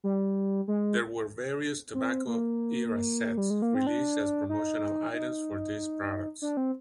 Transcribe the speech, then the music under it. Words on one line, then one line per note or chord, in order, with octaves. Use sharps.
There were various tobacco era sets released as promotional items for these products.
G3
G#3
C4
A#3
G3
G#3
A#3
C4
D4
D#4
D#4
D4
C4